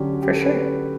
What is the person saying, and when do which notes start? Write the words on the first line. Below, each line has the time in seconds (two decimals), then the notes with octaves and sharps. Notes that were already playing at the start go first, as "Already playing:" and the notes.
For sure.
Already playing: D3 F#3 C#4 G4 D5
0.13 F#4
0.23 G4
0.31 A4
0.42 B4